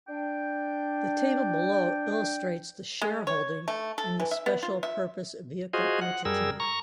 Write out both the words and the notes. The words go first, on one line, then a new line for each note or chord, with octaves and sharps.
The table below illustrates the shareholding in the special purpose vehicle entity.
D4 G5
G#3
C#5
A3
A4
E3
E5
B3
F4
E5
F4 F#4 G#4 C5 D#5
F#5
F#2 G3 G#4 A#4 E6
A#5 C#6